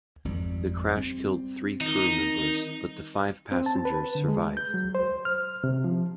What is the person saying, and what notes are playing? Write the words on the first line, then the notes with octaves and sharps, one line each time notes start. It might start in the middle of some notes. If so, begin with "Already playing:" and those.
The crash killed three crew members, but the five passengers survived.
G#1 F2 G3
G3 C4
D#3 D#4
C4
A5
B4
D3
G#3
G6
F#3
C5
F6
C3
F3